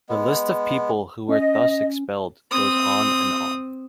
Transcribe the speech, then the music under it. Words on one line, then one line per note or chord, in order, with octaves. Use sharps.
The list of people who were thus expelled goes on and on.
G#3 B3
C#4 D#5
C4 D#6